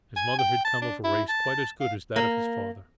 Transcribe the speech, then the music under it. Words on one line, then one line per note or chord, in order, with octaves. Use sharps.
His mother had come of a race quite as good as that of his father.
G#5
G5
A5
D4
E4
A5
F5
A#3